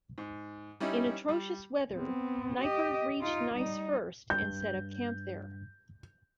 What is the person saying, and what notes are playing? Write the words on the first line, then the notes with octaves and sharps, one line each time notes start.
In atrocious weather, Neipperg reached Neisse first and set up camp there.
G#2
G3 C#4 D#4 E4
G3
B3 C4
G4 D#5
D#4 F4
G3 D#4
G2 G6